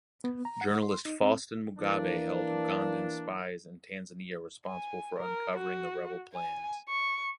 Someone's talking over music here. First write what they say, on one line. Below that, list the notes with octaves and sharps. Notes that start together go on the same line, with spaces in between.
Journalist Faustin Mugabe held Ugandan spies in Tanzania responsible for uncovering the rebel plans.
B3
A#5
F#5
C6
D#4
C4
E3 A#3 D4
G#5
A#4
F#4
G#5
C#6